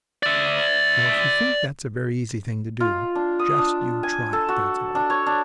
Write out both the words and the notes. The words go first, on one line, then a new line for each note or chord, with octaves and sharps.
Now, if you think that's a very easy thing to do, just you try it, that's all.
D5 E5
F4
D4
D#6
D4
G#5
A4
F#4
D4
C#5
D4